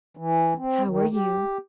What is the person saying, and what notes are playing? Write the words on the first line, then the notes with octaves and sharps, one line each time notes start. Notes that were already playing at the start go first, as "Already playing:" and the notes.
"How are you?"
E3
C4
D#3
G4